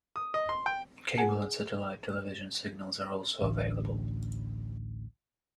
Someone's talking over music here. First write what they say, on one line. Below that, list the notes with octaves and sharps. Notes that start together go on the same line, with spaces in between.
Cable and satellite television signals are also available.
D#6
D#5
C6
G5
G#4 F#5 G#5 A5
A1 D2